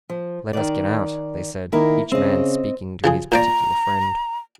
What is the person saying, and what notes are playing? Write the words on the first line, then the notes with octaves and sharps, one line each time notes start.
"Let us get out!" they said, each man speaking to his particular friend.
F3
D#3 D5
D#3 A#3 E4 A#4
C#3 C4 D#5
C#3 F3 G#4
A#2 C5 D5 A#5